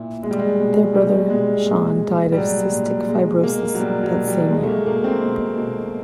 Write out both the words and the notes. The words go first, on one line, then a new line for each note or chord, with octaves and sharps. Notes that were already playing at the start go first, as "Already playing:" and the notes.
Their brother, Sean, died of cystic fibrosis that same year.
Already playing: A#2 E4
B2 G#3
G3
G#3
B2
B2 G3
B2 G#3
A#2
A#2
G3
A#2 F#3
A#2
B2 G#3
B2 A#3
F#3
B2 G3
F#3
B2
G3
B2 G#3
A3
A#3
B2 A#3
C4
B2
B2